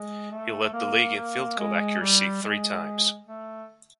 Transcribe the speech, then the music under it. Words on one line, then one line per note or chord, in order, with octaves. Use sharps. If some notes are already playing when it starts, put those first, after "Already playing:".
He led the league in field-goal accuracy three times.
Already playing: G#3
A3
A#3
A#3
G#3
G3
G#3
A3